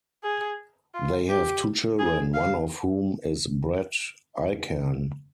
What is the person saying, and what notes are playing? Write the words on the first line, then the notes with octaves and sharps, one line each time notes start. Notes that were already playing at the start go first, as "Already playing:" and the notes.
They have two children, one of whom is Brett Icahn.
G#4
F4
G4
G#4
F5